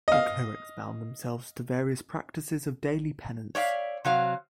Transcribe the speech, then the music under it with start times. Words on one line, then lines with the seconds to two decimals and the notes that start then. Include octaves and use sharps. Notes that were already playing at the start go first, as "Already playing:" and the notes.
The Clerics bound themselves to various practices of daily penance.
0.08 D#5 F5
3.55 C#5 D5 E5 F5
4.05 C3 F#3 F5